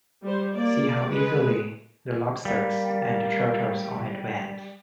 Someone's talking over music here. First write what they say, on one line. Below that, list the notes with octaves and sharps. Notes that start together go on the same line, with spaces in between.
See how eagerly the lobsters and the turtles all advance!
G3 C5
A#3 D5
G#3 B4
G3 A#3